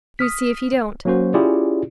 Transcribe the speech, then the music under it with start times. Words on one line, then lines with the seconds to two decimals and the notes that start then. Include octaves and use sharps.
You see if he don't!
0.19 D#6 F6 B6
1.05 F#3 A#3 C#4 F#4 C5
1.34 C#4 E4 F4 G4 G#4 D5